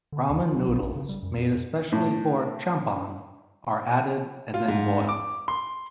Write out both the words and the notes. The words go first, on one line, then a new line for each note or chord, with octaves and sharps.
Ramen noodles made especially for "champon" are added and then boiled.
D3
D#2
F4
F#3
B1
A#1
C#3
G3
F#2
F2
A#2
A2
F4
G#2
D6
C6